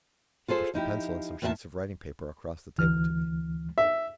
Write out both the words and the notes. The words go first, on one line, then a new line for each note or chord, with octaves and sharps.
He pushed a pencil and some sheets of writing-paper across the table to me.
F4 G#4 A4 C5
F3 D#4 E4 G4
E2 A#2 D4 G#4 E5 A5
D2 E3 F6
E5